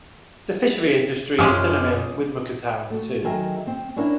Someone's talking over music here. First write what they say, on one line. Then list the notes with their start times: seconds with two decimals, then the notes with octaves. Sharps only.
The fishery industry is synonym with Mukah town too.
1.38 F#2 F3 G#3 C#4 D6 D#6 F6
2.90 A3 F#4
3.24 D#3 F#3 G#4 A#4 E5 G5
3.67 C4
3.96 C#4 D4 E4 A#4 F#5